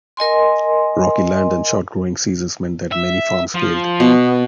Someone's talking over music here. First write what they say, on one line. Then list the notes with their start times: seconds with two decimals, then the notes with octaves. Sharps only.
Rocky land and short growing seasons meant that many farms failed.
0.17 A#4 D#5 G#5 C6
2.91 E5
3.55 F3
4.00 B2 B3